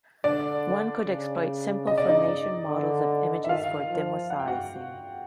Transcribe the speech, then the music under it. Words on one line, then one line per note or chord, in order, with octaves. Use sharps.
One could exploit simple formation models of images for demosaicing.
D3 D4 D5
C#3
D#5
D5
D#4 D#5
D3
E5
D#3 F4 F5
F3
F#5
G5
F#4 F#5